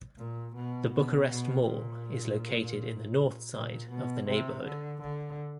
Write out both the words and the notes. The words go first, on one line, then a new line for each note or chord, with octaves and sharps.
The Bucharest Mall is located in the north side of the neighbourhood.
A#2
B2
B2
B2
A#2
A#2
B2
C3
D3
D3